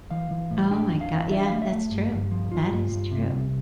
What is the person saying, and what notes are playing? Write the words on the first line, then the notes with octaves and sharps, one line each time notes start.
Oh my go yeah, that's true. That is true.
E3 F5
E3
A2
D4 G5
F2
F5
E3
D4 E5
F5
A3
E5
A3
G2
G2
F3
G2 F4
G2
G2
C3
C2